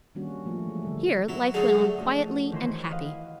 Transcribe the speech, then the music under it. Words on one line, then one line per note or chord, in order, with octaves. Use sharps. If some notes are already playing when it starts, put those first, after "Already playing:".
Here life went on quietly and happy.
D#3 G3 A#3 C#4 D4 F#4
F3 A3 A#3 F4
E3 G#3 G#4
D3 G3 A4
F#3 E4
D3 F#3 A3 G#4
F2 A2 C#4 F#4 D#6
D#3 E3 A#4 C5
B4 D#5 F5 F#5